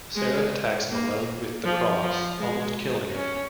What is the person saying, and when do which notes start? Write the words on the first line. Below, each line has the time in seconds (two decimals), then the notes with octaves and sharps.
Sarah attacks Malone with the cross, almost killing him.
0.15 G#3
0.91 A#3
1.65 F3
2.03 F3
2.40 G#3
3.15 C#4